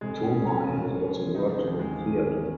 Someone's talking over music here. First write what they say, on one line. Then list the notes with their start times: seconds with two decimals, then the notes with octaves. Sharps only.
Tomei has also worked in theater.
0.01 F1 G#3
0.19 F1
0.24 C#4
0.35 F1
0.47 F1 C#4
0.69 F1
0.85 F1
1.01 F2
1.18 F1
1.35 D#3 D#4
1.51 D#2 A#3
1.67 D#2
1.79 G#3
1.84 D#2
2.00 D#3
2.18 D#2